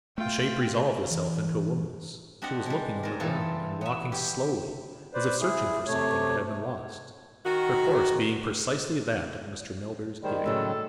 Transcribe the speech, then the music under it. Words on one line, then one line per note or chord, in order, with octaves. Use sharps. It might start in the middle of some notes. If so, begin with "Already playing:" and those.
The shape resolved itself into a woman's; she was looking on the ground, and walking slowly as if searching for something that had been lost, her course being precisely that of Mr. Melbury's gig.
A3 F4 G5
E3
C4 D4 G4 D#5 F#5
G3 G#3
G#2 A#4
E3 G3 E4 F4 G#4 A4
B3 E5
G4
B4 C5 D5
E4 G#4
C3 A3 C#5
D#3 F#4
D#3 G3 G#3 C5
A2 C#3 F#3 A4